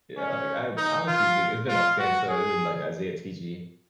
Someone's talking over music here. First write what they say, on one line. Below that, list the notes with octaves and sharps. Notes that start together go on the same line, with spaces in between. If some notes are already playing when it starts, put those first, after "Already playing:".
Yeah, like, I'd honestly, it's been it's been ohsxnta, it's been, like, Izaya Tiji.
C#4
D#4
F4
F4
F#4
G#4